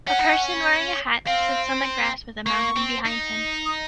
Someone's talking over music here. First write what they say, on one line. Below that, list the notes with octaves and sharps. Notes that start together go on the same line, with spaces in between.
A person wearing a hat sits on the grass with a mountain behind him.
C#4 F#5
D#4
C#4
C4 F5
A#3 C#6
C4
D#4
D#6